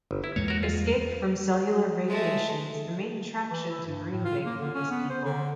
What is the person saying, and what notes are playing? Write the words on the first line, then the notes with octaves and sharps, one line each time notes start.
Escape from cellular radiation is the main attraction to Green Bank for these people.
G1
E4
E2 G#3 A#3 C#5
F#4 A#4
F4
G#3 A3
E3
E4
G2
A2
F4
A#3
D3
C#4
B3
C5
D3